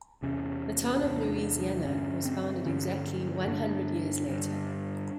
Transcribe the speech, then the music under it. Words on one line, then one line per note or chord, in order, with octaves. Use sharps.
The town in Louisiana was founded exactly one hundred years later.
E2 C3 C#4
E2 C3 D4
G2 D3 C#4
C4
G2 D3 C#4
G2 D3 D4
G2 D3